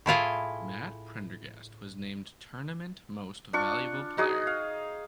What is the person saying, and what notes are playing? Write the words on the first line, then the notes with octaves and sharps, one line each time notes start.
Matt Prendergast was named Tournament Most Valuable Player.
A2 E4 F4 G#4
D4 F4 C#6
D#4 F#4 G#4 D#6
F5